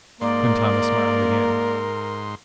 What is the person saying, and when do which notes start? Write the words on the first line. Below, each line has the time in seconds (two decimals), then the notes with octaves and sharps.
Quintana smiled again.
0.21 G#2 A#3 A#4 D5 C6